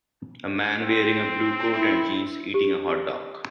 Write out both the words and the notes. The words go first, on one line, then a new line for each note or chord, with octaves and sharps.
A man wearing a blue coat and jeans eating a hotdog.
C4
E4
G4